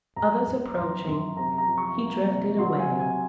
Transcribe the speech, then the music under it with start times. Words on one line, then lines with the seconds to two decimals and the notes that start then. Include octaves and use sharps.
Others approaching, he drifted away.
0.16 F#2 A#5
0.46 F#2
0.77 F#2 C6
1.07 F#2 C6
1.37 C3 A#5
1.58 A#5
1.67 F3
1.77 C#6
1.98 A#3
2.28 C3
2.59 F#3 C6
2.79 G#5
2.89 C3
2.99 G#5